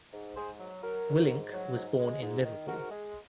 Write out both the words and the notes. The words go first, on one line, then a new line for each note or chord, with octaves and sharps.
Willink was born in Liverpool.
G#2
G#2 G#4 C5
F#3
F#3 F#4 A#4
G#2
G#2
F#3
G#2
G#3
G#2
D#3
G#2 F#4 A#4
G#3